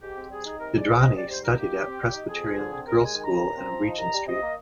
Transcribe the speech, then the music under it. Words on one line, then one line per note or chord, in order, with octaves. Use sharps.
Indrani studied at Presbyterian Girls School in Regent Street.
G#2 G4
C4
G3 G#4
D#4
C3 A#4
G#3 D5
F3
C3 D#5
G#2 D5
G3 C5
D#3 A#4
A#3 G4
A#2
C4
G3
D#4
F2 G#4
F3
D3
C4
D#2 A#4
G#3 G#5
D#3
A#5
D#2
A#2
C4
F3
D#4
C2 A#5
G3
C3 D#5
A#3